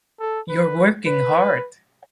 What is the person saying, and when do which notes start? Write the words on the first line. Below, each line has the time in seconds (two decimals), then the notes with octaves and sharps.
You’re working hard.
0.20 A4
0.49 B4
1.07 B4